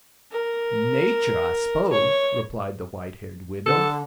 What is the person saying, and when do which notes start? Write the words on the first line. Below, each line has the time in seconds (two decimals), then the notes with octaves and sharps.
"Nature, I s'pose!" replied the white-haired widow.
0.32 A#4
1.91 C#5
3.66 D3 A4